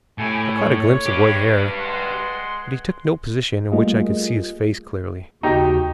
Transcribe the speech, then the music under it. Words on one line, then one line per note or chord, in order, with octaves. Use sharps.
I caught a glimpse of white hair, but he took no position in which I could see his face clearly.
A2 G4 G#5
C#5
G4 B4
G#3 F#5 C6
G3 A3 A#3 F4 G#4 D#5
D#2 C#3 D#4 F#4 G4